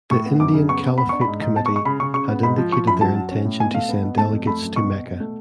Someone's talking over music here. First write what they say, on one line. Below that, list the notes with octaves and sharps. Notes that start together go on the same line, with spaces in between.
The Indian Caliphate Committee had indicated their intention to send delegates to Mecca.
A2 C#6
B3
F#2 D6
C#3
B3 C#6
B3
B3 B5
D4 C#6
B5
G#2
G#2
B2 A5
C#6
G#3
C#6
C#3 B5
C#3 C#6
C#3 C#6
B3
G#2 B5
F3
F3 C#6
F#2 B5
F#3 A5
F#3
C#4
A2
B2 G#5
A3 F5
B3
B2
A3 A5
F2
A3 B5
F#2
B2 C#6
B2
B2
A3